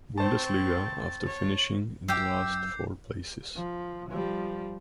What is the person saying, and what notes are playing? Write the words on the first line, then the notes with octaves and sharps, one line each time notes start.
Bundesliga after finishing in the last four places.
C4 C5 G5 A5 C#6 A6
C#5
F#2 G4 G5 D6 E6 G6 C7
F3
F3 G3